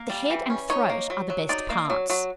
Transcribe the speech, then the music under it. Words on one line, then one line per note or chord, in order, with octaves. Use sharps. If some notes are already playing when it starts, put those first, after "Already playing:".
The head and throat are the best parts.
Already playing: A#3
G3
E3
C#4
D#4 C#5
A#3
F#3
F#3
D#4 D5
A#3
F#3
F#3